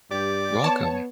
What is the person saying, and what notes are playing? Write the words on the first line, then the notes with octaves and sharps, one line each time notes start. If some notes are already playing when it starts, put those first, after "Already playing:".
You're welcome.
G2 G4 D5
B3 C#5 A5